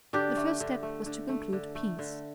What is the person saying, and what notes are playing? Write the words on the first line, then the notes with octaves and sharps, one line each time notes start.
The first step was to conclude peace.
D3 D4 G4
A3
D3
A3
D3
A3
D3
A3
D3